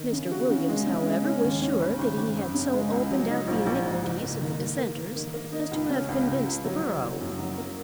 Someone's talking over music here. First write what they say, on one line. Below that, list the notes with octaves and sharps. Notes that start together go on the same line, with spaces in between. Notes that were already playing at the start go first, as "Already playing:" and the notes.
Mr. Williams, however, was sure that he had so opened out the iniquities of the dissenters as to have convinced the borough.
Already playing: D#3
C#3
F#4
C#3
G#3
C#3
G#3
C#4
D#2
C#4
G#1
G#1
G#1
F#2
C#3
G#3
C#2
F#3
D#4
A#1
A#1
G#2
F#1
A#3
D#3
A#3
A#3
A#3
D#3
A#3
D#4
C#2
C#4
C#2
C#2
C#2
F#3
F#1
F#1
F#2
F#3
A#3